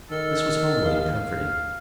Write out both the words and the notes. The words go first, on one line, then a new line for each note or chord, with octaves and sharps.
This was homely and comforting.
D#3 A4
F5